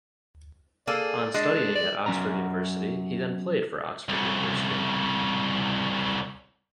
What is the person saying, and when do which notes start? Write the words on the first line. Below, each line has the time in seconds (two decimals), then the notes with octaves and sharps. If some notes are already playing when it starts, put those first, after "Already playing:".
On studying at Oxford University he then played for Oxford University.
0.87 A#3 G#4 A4 D5
1.34 G#3 D4
1.76 D5
2.06 F#3 C#4 D5 A#5
4.09 C2 C#3